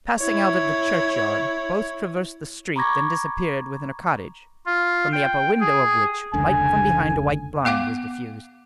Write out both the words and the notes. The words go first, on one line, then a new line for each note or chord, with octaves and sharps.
Passing out of the churchyard, both traversed the street and disappeared within a cottage, from the upper window of which light from behind a white blind was diffused.
E4 C#5
A#5 B5 C#6 D6 G#6 A#6
F4
G5
G#4
F1 C#2 D3 G#5
B3 F5 F#5 D6